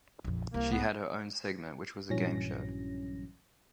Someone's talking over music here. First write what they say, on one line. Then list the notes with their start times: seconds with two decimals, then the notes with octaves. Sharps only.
She had her own segment, which was a game show.
0.24 A#1 F2
0.54 C2 A#3
0.72 B3
2.10 A#1 G2 E3 F#3 C#4 A#6